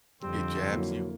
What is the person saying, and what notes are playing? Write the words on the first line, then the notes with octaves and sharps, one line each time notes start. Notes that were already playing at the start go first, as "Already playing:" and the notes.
It jabs you.
F2 D3 G3 C4
F#3 A#3 E4